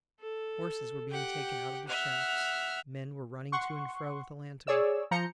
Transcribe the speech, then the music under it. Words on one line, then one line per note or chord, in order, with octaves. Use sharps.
Horses were being taken out of the shafts, men were running to and fro with a lantern.
A4
G4 F#5 G5
E5 F#5 F6
F#5 C6 C#6
G#4 C#5 D5 E6
F3 A#5 G6 C#7